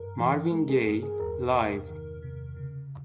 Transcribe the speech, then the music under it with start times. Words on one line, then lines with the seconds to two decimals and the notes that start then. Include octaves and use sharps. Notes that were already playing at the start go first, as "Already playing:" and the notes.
Marvin Gaye Live!
Already playing: G2 A#4
0.19 E3
0.51 G#3 A#4
0.69 G#4
0.86 G2 G#4
1.03 G#4
1.20 E2 A#4
1.55 C3
1.89 D#3
2.22 C3
2.56 C#3